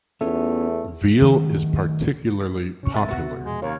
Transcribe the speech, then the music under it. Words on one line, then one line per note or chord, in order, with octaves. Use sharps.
Veal is particularly popular.
E2 A3 B3 C#4 F4
D#3 F#3 A3
C3 C#4 C#6
G#3 E5 A6
B3 F#4
F2 B2 G#3
D#2 A#4 C#5 F5